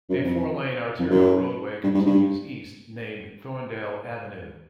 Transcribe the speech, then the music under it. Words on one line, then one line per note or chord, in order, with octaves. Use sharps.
A four-lane arterial roadway continues east, named Thorndale Avenue.
F#2
F2
F2
F#2
G2
G2
G#2
G2